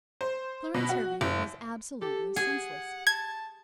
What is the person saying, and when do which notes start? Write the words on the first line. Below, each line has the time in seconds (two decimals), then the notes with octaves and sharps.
Clarence Hervey was absolutely senseless.
0.21 C5
0.74 B2
0.89 F#4
1.21 F#1
2.01 G4 A4
2.36 G#4 F#5
3.07 A5 G#6